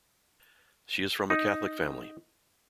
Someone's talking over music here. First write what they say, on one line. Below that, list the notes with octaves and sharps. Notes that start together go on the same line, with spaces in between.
She is from a Catholic family.
D#4